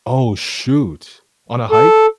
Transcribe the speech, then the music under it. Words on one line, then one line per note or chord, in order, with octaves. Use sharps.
Oh, shoot. On a hike?
A4